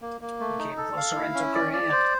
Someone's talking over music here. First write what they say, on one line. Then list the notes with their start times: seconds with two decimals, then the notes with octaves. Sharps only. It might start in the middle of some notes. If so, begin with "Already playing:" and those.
He came closer and took her hand.
0.02 A#3
0.21 A#3
0.40 A3
0.59 D#4
0.77 A4
0.97 F5
1.16 E4
1.34 C#4
1.55 D5
1.73 D5
1.92 C5